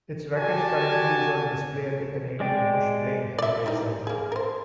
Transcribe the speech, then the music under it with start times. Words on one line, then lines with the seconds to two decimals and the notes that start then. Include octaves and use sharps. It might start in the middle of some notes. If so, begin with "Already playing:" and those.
Its wreckage currently is on display at the Canadian Bushplane Heritage Centre.
0.36 F#4 G4 G#5 A5
2.40 G#3 D5 G5
3.38 D5 E5
3.66 E3 G3 D#4
4.07 A#3 G#4
4.32 A#4 C5